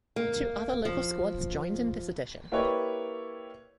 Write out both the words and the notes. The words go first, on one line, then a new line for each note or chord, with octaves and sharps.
Two other local squads joined in this edition.
A#3
F3
A#3 E4 G4 B4 C#5 D5